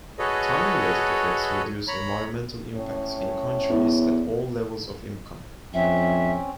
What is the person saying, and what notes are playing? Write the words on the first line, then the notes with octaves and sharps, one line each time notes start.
Time related effects reduce environmental impacts in countries at all levels of income.
F#4 G#4 A4 B4 C#5 D#5
C#5 A#5 B5
A2 C#4 C#5
E2
F2 C4 C#4 E5